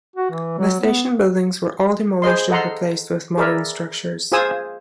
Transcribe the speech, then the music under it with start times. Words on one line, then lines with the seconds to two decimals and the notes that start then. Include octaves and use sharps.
The station buildings were all demolished and replaced with modern structures.
0.16 F#4
0.31 E3
0.58 F#3
0.80 B3
2.22 G#4 C5 D#5 C6
2.50 A4 D#5 F#5 A#5 C6
3.37 G#4 A#4 B4 D5 E5
4.32 F4 G#4 C5 G#5 D#6 E6